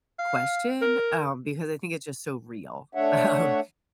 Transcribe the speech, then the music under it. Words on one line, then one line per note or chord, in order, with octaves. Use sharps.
question, um, because I think it's just so real. Um,
F5
A#4
A3 D4 C#5 E5 F#5